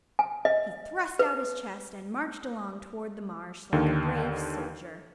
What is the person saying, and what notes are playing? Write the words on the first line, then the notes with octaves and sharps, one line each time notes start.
He thrust out his chest and marched along toward the marsh like a brave soldier.
G#5
D#5
B4
D#2 D3 D#3